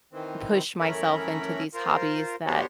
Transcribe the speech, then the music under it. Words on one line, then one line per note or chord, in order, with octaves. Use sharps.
push myself into these hobbies that
D#3 E3 C4
F#2 E3 A3 C#4 A#4 B5
F4 A#4 C5
B3 D4 F#4 G4 C5 C#5